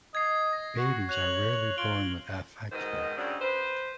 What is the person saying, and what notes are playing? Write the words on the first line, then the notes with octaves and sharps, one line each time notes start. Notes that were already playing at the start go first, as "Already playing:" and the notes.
Babies are rarely born with aphakia.
D#5 G#6 C7
A#6
F#4
C#5 F#6 F7 F#7
F4 D7 G7
G#2 B2 D#3 C5 D#5
C#3 G3 C4 D4 F#4
B4 C5